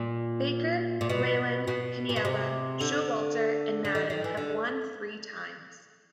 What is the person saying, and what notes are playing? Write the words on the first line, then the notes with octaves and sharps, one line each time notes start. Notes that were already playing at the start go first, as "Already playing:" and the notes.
Baker, Leyland, Piniella, Showalter and Maddon have won three times.
Already playing: A#2
A#2
B2
B2
A#2
B2
C3
D3
D3
D#3
D#3
E3
D3